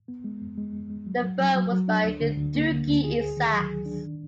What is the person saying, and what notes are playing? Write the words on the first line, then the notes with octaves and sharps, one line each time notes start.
The throw was by Dougie Isaacs.
B3
G#3
F2
G#3
F2
G#3
F#3
F#3
F#3
F#3
F#3
D4
D2
D3
D2
A#3
D3
D2
G#4
G#4
D#3
F#3
G#4
D4
D#3